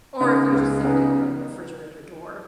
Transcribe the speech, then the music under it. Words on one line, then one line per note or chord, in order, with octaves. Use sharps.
Or, if you just simply open the refrigerator door.
C#3 B3 D#4
C#2
C#3 B3 D#4